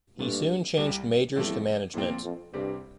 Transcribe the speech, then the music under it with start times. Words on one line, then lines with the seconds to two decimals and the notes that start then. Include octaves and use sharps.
He soon changed majors to management.
0.18 G2 A#2 A3 D4
0.77 C2 C3 G3
1.36 E2 G2 F3 A3 C4 E4
1.94 E2 A#2 F3 C4
2.24 F2
2.53 C2 G2 C3 G3 C4 G4